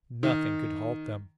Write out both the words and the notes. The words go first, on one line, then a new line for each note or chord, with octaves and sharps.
Nothing could halt them.
D#3